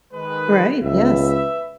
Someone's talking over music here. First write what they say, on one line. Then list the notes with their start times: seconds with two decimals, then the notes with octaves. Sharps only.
Right, yes.
0.13 D#3 G#3 B4
0.83 C#2 B4 E5